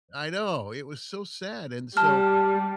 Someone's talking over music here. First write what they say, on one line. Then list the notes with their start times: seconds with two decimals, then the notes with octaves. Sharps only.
I know, it was so sad, and so,
1.97 G3 A5 F6